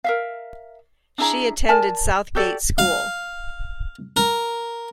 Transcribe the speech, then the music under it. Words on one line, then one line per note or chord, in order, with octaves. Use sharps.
She attended Southgate School.
A#4 E5 F5
D4 E4 G#4 A#5
A#4 D5 G#5 A5
F#4 G4 A4 D5
F5
A#4